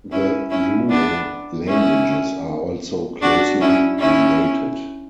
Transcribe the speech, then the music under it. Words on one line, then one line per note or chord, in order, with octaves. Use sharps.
The Luo languages are also closely related.
C#4 E4
C#4 E4
B3 D4
C#4 E4
D4 F#4
C#4 E4
C#4 E4